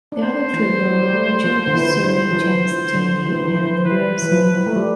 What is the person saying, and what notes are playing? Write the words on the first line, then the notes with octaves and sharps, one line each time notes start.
The other three were: Richard Serra, James Tenney and Bruce Nauman.
D4
C4 C5
E3
G3
G3
A3
F3
D3
E3
D3 C5
F3
E3
D3
D3
E3
D3
E3
E3
E3 B4
E3
F3
A3
G3